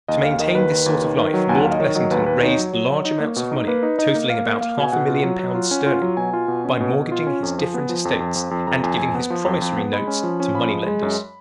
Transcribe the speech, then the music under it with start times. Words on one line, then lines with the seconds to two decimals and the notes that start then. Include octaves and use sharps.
To maintain this sort of life Lord Blessington raised large amounts of money, totaling about half a million pounds sterling, by mortgaging his different estates and giving his promissory notes to money-lenders.
0.08 D#2 D#5
0.23 D#2 F5
0.39 D#3 D#5
0.54 D#2 B4
0.71 D#3
0.86 D#2
1.02 D#3
1.17 D#3
1.34 F#3
1.49 D#2 G#5
1.56 F#5
1.64 F#3 F5
1.72 D#5
1.79 D#3 C#5
1.95 F#3 D#5
2.11 D#2 B4
2.26 D#2 B4
2.42 D#4 C#5
2.57 F#3
2.73 F#3
2.89 F#3
3.05 D#4
3.20 A#3
3.36 B2
3.51 D#4
3.68 A#3 B4
3.83 D#4
3.98 D#4 D#5
4.15 A#3
4.29 A#3 F5
4.46 A#3
4.61 A#3 F5
4.77 B2 G#5
4.93 B2 F#5
5.07 F4
5.24 F#3
5.39 F#3
5.55 F4
5.71 C#4
5.86 F4
6.02 F#3
6.17 B2 G#5
6.33 F4
6.48 B2
6.65 C#4
6.80 B2
6.96 B2
7.12 F4
7.27 C#4
7.43 F2
7.58 F3
7.74 B3
7.89 F3
8.05 F2
8.20 F2
8.36 F2
8.51 F2
8.67 F2 A#5
8.83 F2 G#5
8.98 F2 G#5
9.15 B3
9.30 F3
9.46 F2
9.62 F2
9.77 B3
9.93 G#3 B5
10.07 C#4
10.23 F3
10.40 C#4
10.54 F3 B5
10.70 G#3
10.86 G#3
11.02 F#2